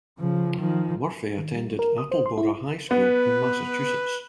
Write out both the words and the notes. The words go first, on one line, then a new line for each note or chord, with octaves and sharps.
Murphy attended Attleboro High School in Massachusetts.
C#3 F3
D#3 F3
D#3
G3
A#4
D#6
C5
C6
E4
B3 B4